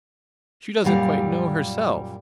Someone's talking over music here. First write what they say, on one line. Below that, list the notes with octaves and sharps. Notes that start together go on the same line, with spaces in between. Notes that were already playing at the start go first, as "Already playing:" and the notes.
She doesn't quite know herself.
F#2 A#2 G3 F5